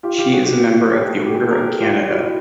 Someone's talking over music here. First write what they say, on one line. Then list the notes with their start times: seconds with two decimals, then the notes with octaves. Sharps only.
She is a Member of the Order of Canada.
0.03 F4 G4
0.18 F4 G4
0.33 F#4 G#4
0.92 G4 A4
1.17 F#4
1.26 G4
1.34 G#4
1.43 A4
1.51 G#4 A#4
1.66 G4 A4
1.81 F4 G4
2.04 G4
2.10 E4 F#4